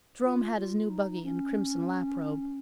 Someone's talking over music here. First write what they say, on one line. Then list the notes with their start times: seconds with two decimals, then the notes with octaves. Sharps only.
Jerome had his new buggy and crimson lap robe.
0.25 F4
0.57 F4
0.90 D#4
1.24 C#4